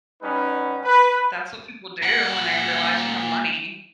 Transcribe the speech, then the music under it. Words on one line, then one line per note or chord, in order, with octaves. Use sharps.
That's what people do when they realize you have money.
G3 C#4 D#4 B4 F#5
B4
A#2 F#5